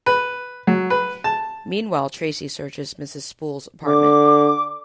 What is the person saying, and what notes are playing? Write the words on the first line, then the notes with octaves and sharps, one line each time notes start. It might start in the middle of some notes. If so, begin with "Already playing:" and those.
Meanwhile, Tracy searches Mrs. Spool's apartment.
B4
F#3
B4
A5
D3 D6